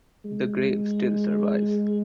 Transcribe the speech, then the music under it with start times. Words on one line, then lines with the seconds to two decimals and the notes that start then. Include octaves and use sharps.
The grave still survives.
0.25 G#3